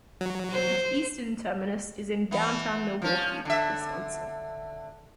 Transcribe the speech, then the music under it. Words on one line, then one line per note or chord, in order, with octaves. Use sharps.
Its eastern terminus is in downtown Milwaukee, Wisconsin.
F#3
C5
E3 B3
F3 C#4
D3 E5